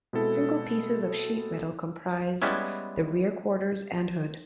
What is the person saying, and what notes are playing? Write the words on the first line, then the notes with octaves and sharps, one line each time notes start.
Single pieces of sheet metal comprised the rear quarters and hood.
B2 G#3 C4 E4 A4
G3 G#3 B3 C#4 E4